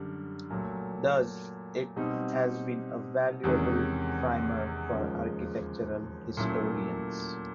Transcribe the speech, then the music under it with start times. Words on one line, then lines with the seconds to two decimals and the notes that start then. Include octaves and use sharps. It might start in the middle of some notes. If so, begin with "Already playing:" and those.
Thus, it has been a valuable primer for architectural historians.
Already playing: F#2 D3 G3
0.50 A#2 F#3 A3
1.96 B2 G3 C4 D#4
3.44 E2 C3 D#3 G#3 C#4
4.91 D#2 C#3 F3 G#3
6.37 A#2 F#3 A3 C#4 E4